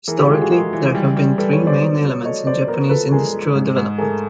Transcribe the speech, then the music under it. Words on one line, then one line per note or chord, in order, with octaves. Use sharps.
Historically, there have been three main elements in Japanese industrial development.
E3 G#4 A#4
G4 A4
G#3 F4 G4
F#4 G#4
G#3 G#4 A#4
E3
G3
G3
G3 A4 B4
B4 C#5
B3
C5 D5
F#3
F#3
A3 C#5 D#5
F#3 C5 D5
B3 A#4 C5
F3 A4 B4
G#3 G#4 A#4
G#3
G#2
G#2
A3 G#4 A#4